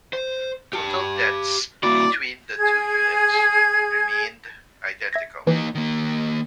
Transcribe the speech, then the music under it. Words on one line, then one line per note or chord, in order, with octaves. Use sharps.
Total deaths between the two units remained identical.
C5
G4 A5
A#3 E4 F#4 D5
G#4 G#6
E5 G#6 A#6
E3 A#3 D#4
D#3 A#3